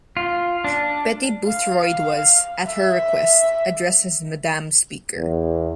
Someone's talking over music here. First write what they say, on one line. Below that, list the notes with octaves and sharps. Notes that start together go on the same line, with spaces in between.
Betty Boothroyd was, at her request, addressed as "Madam Speaker".
F4
D4
F5
E5
E2